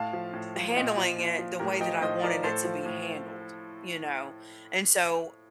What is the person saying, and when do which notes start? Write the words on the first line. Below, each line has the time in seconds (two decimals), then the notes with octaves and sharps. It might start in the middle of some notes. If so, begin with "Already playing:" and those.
handling it the way that I wanted it to be handled, you know, and so,
Already playing: A2 F5 A5
0.13 F3
0.33 A2
0.56 F3
0.76 A#2 D#5 G5
0.97 F3
1.18 A#2
1.39 F3
1.59 A2 G4 A#4
1.81 F3 D#5 G5
2.02 A2 C5 D#5
2.23 F3 A#4 D5
2.44 A2 A4 C5
2.65 F3
2.86 A2